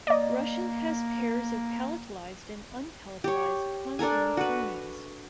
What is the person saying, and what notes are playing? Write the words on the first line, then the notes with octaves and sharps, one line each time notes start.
Russian has pairs of palatalized and unpalatalized consonant phonemes.
A#3 D5 D#5
G4 C#5
D4 A4 A#4 G#5
F#4 B4